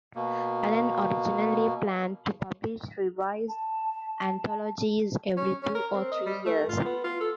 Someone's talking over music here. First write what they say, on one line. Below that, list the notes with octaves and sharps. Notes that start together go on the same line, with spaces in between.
Allen originally planned to publish revised anthologies every two or three years.
B2 A#3
A5
C#4
C#4
A#4
C4
D#5
G3
A3
F4
B3
F4
A4